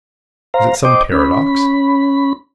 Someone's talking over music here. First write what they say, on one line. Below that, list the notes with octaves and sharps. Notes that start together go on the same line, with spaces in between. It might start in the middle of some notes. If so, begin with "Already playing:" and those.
Is it some paradox?
C5 F5 A#5
C5 D#5 G5 D6
C#4 B5